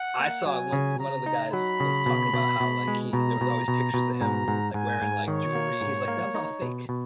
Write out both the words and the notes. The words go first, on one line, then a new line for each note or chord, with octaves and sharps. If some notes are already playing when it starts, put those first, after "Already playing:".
I saw one one of the guys was talking about how, like, he there was always pictures of him, like, wearing, like, jewelry. He's like, "That was all fake."
Already playing: F#5
A#3
F#3 G#5
C#3
C#3 A#5
D#4
F#3 B5
C#3
B2
B2
B2
G#3
B2 A#5
B2
B2
B2
G#2 A#5
G#2
G#2 G#5
G#2
D#3 C#5
A#3
G#2
A#3
D#4
B2
B2